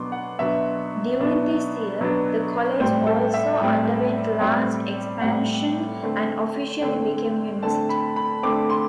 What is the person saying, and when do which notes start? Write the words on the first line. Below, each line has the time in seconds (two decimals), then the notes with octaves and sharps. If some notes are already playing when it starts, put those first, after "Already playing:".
During this year, the college also underwent large expansion and officially became a university.
Already playing: B2 F#3 B3 D4 C6 D6
0.12 F#5
0.39 B2 F#3 B3 D4 E5
1.19 B2 F#3 B3 D4
2.00 B2 F#3 B3 D4
2.80 A2 G3 C4 C5
3.07 A4
3.34 E5
3.61 A2 G3 C4
4.41 A2 G3 C4
5.21 A2 G3 C4 F#5
6.02 D3 A3 C4
6.82 D3 A3 C4 G5
7.63 D3 A3 C4 A5
7.89 B5
8.16 B5
8.43 D3 A3 C4 D6
8.70 C6